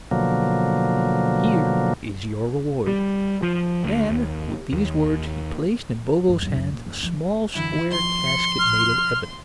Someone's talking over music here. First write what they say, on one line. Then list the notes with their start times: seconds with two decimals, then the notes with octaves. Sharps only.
"Here is your reward." And, with these words, he placed in Bobo's hands a small square casket made of ebony.
0.11 B2 D3 F3 F#3 A#3
2.87 G3
3.43 F3
3.84 D2
4.10 D#2
4.72 D#2
6.29 G2
6.42 B1 F#2
6.56 F#2
6.72 A#2
6.86 F#1
7.03 F3
7.55 F#2 D3 E3 E4
7.92 D#2 F3 C6
8.26 C#7
8.59 F6